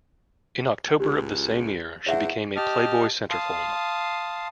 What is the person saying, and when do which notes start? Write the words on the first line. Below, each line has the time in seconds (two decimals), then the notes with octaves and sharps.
In October of the same year she became a "Playboy" centerfold.
1.00 C#2 G4
2.06 E2 C#5 E5 F#5
2.56 G4 D#5 A5 F6
3.30 F5 A5 C6 D#6